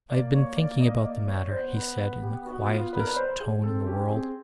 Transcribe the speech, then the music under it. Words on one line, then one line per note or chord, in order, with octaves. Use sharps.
"I have been thinking about the matter," he said, in the quietest tone in the world.
A#3 D5
C#5
D5
D#5
D5
C#5
B3 C5
B4
B4
G4
F#4
F4
B4
A#4
B4
C5
G#4
C4 A4
C4
C#4 G4
C4 G#4